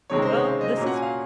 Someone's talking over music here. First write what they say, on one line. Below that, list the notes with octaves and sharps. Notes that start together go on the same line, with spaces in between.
Well, this has
C#2 C3 D#3 G#3 C#5
C5
C#5
F5
D#5
A#2 F#3 A#3 C#4
F#5
G#5
F5